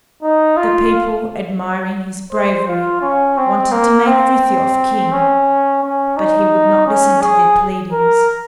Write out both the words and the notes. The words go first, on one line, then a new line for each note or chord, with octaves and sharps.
The people, admiring his bravery, wanted to make Frithiof king, but he would not listen to their pleadings.
D#4
F4
C5
F4
C#4
C4
A#3
C4
C#4
C#4
D#4
C#4
G#4
A#4